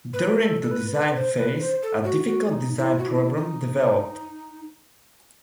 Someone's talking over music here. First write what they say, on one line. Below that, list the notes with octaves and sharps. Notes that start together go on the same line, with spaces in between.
During the design phase, a difficult design problem developed.
B4
A4
A4
B4
B4
C5
B4
C5
A4
F#4
F#4
D#4
E4
F#4
E4
D#4